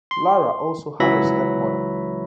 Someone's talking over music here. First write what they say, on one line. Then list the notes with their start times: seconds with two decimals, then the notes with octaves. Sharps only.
Lara also had a stepmother.
0.11 C6
1.00 C#2 E3 F#3 E5 B5 A#6